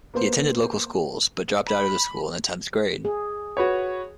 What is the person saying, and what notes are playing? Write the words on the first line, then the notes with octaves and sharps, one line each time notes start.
He attended local schools, but dropped out of school in the tenth grade.
A#3 B3 C5
B5
G#4
F#4 B4 C#5